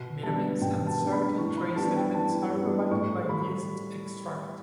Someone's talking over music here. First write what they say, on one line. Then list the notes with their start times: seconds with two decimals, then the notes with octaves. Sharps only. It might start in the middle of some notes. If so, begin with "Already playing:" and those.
Vitamins and certain trace elements are provided by yeast extract.
Already playing: B2
0.23 G3 B3 D4 A5
0.61 B2 G5
0.87 A5
1.00 G3 B3 D4
1.12 B5
1.38 E3 C#6
1.57 B5
1.76 G3 B3 D4 A5
1.96 G5
2.14 E3 A5
2.53 G3 B3 D4
2.90 A2 C#6
3.29 G3 B5